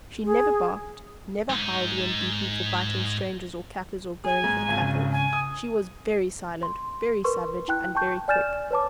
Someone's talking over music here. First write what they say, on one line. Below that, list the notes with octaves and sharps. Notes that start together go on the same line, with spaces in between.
She never barked; never howled when beaten for biting strangers or kaffirs or going for the cattle; she was very silent, very savage, and very quick.
G#4
G#2 D#4
G#4 G#5
G#2
G#1 C#2
C#3
G#5
D#6
C6
A#4 B4 C6 C#6
E4 G5 F#6
G5 A5 C#6 G6
D5 G#5 F6 G6 A6 E7
B4 C#5 A5 D6